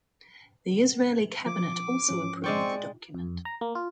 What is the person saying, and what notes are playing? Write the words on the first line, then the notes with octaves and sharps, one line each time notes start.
The Israeli Cabinet also approved the document.
F3 D6
G#2 F3 C#4
G#3 C4 D5 G5 C#6
F2
A#5
A#3
F4